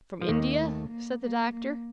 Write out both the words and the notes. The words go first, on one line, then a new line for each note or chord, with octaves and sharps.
'From India?' said the Doctor.
F3
D#2 D#3 A#3
A3
A#3
A#3
A#3